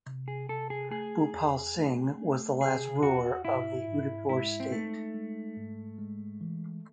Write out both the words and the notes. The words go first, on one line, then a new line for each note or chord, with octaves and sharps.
Bhupal Singh was the last ruler of the Udaipur State.
C3
G#4
C3 A4
G#4
A3 G#4
E2
A3
A3
C3 G#4
E2 F#4
G#2 E4
G#2
G#3 E4
C4
A3 D#4
G#3
G#2
G#3
E3